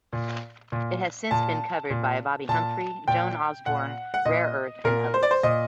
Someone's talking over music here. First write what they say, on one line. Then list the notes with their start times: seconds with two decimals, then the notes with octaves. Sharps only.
It has since been covered by Bobbi Humphrey, Joan Osborne, Rare Earth, and others.
0.13 A#2
0.72 A#2
1.31 A#2 A5
1.90 A#2
2.49 A#2 A5
3.08 A#2 G5
3.66 A#2 F#5
4.14 F#5
4.25 A#2 D#5
4.84 A#2 A#4
5.14 C5
5.23 D5
5.31 C5
5.43 A#2 D#5